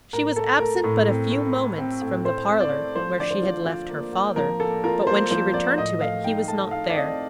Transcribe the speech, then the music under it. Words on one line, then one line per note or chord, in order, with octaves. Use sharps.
She was absent but a few moments from the parlor, where she had left her father, but when she returned to it he was not there.
A2 A#4
A3 A4
A3 A#4
A2
C4
A3
A3
C4
A2
A3 C5
C4
D5
A3
F3 C5
D3 D5
C5
F4
F4
A#3
A#3
F3 A#4
A#3 A4
F4 A#4
A#3 C5
F3 C5
F3 D5
A2 D#5
A3 F5
D#4 G5
A3 A5
D#4 F5
D5
C4 D#5